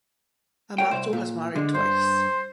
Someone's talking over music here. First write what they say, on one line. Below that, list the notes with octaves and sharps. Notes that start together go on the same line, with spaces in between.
Amato has married twice.
A#4 C#5 G5
C2 C5
A#2
D3 G#3
G2 C5